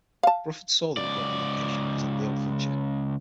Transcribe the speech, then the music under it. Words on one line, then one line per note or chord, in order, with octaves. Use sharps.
Bruford saw the recording location as "a deal clincher".
F5 A5
C#2 D5